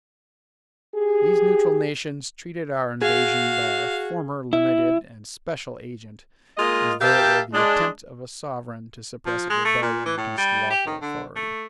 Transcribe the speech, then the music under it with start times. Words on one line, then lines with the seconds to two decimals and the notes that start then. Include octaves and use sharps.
These neutral nations treated our invasion by our former limited and special agent as though it were the attempt of a sovereign to suppress a rebellion against lawful authority.
0.95 G4 G#4
3.02 F#4 G#4 F5
4.53 E4
6.58 G#3 A#3 F4 D#5
7.01 G4 A#4 E5 F5 G5 A5
7.53 G#3 D4
9.26 F3
9.50 G#3
9.65 A3
9.82 A#2
10.06 E3
10.17 A2
10.38 G3
10.70 G4
10.87 D#3
11.02 D3
11.36 A3